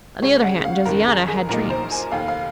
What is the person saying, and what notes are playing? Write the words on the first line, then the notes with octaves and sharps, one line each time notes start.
On the other hand, Josiana had dreams.
C#2 C#3 G#3 C#4 C#5
F#5
F5
F#1 F#2 D#3 A#4
G#4
G#4
A#1 A#2 F#3 A#3 D#4 A#4
C5
G#5
F1 D#2 D#3 F5
F5